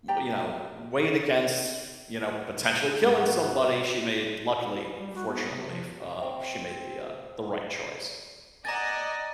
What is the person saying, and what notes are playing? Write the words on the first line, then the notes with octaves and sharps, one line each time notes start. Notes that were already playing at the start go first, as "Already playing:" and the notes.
w you know, weighed against, you know, potentially killing somebody, she made luckily, fortunately f uh, she made the, uh the right choice.
G4 D5 G5 A#5
G#2 F#4
G3
F#4
B3
C3
F3
C4
D5 D#5 F#5 G#5 A#5 A6